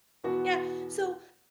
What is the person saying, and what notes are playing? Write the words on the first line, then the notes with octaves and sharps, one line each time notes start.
Yeah. So
E2 B2 B3 F#4